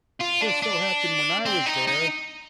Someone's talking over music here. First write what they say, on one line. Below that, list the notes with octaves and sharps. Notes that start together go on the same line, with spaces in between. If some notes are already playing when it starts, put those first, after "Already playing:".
just so happened when I was there,
F4
D4
D4
C4
D#4
D#4